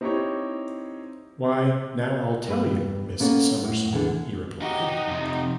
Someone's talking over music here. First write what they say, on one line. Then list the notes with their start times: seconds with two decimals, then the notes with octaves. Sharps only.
"Why, now I'll tell you, Miss Summerson," he replied.
0.01 C4 D#4 E4 G4 C5 C#5
2.48 G2 B4
3.20 A#3 B3 C#4 A4
3.64 A2 F#5
3.93 E2 D3
4.62 D#4 F#4 G4
5.08 F2 C3